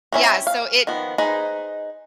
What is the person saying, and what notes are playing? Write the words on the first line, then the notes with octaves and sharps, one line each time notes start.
yeah, so it
C4 C#4 E4
F5
D#3 F3 B3
D#4 G#4 B4 C5